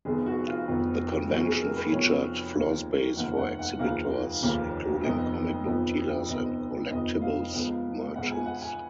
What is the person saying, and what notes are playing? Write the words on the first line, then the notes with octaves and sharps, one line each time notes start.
The convention featured floorspace for exhibitors, including comic book dealers and collectibles merchants.
F1 F2 F3 B3 G#4
F#4
F4
F1 F2 F3 B3
F1 F2 F3 B3 F#4
G#4
A#4
B4
F1 F2 F3 B3 C#5
F1 D#2 C#3 F3 A#3
F1 D#2 C#3 F3 A#3 F#5
F#5
F#5
F1 D#2 C#3 F3 A#3 F5
F1 D#2 C#3 F3 A#3
F1 F2 F3 B3 D#5
F1 F2 F3 B3
F1 F2 F3 B3 D#5
F1 F2 F3 B3 D#5
F5
C#2 C#3 F3 B3
C#2 C#3 F3 B3 F#5
G#5
F#5
G#5